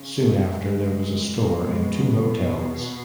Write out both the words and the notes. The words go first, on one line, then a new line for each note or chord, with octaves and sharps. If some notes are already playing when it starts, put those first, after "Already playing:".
Soon after there was a store and two hotels.
Already playing: C#3
G#3
B2 F#3 A#3
G#3
F#3